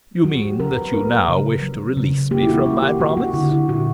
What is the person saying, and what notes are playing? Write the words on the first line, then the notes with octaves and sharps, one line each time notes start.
"You mean that you now wish to release me from my promise?"
F#3 F#4
G4
F#3 A#4
B4
A#3 A#4
C#3
F#3
C#3
A#3 G4
E4
F#4
A#3
G4
A#3 F#4
F#4
D3 E4
E4
A#2 F#4